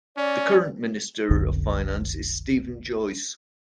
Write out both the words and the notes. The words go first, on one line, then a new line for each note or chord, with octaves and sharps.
The current Minister of Finance is Steven Joyce.
C#4 D5
F1 B1 F2 D3